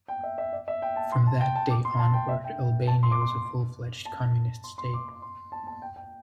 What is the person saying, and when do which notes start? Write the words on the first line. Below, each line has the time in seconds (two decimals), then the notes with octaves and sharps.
From that day onward, Albania was a full-fledged Communist state.
0.08 G5
0.23 E5
0.38 E5
0.53 D5
0.68 E5
0.82 G5
0.96 A5
1.12 C6
1.27 A5
1.41 G5
1.55 A5
1.70 D6
1.85 C6
1.99 A5
2.14 G5
2.29 E5
2.44 G5
2.87 A5
3.03 C6
3.11 D6
3.21 C6
4.05 A5
4.64 C6
4.78 C6
4.94 D6
5.08 C6
5.22 C6
5.52 A5
5.67 A5
5.82 G5
5.96 G5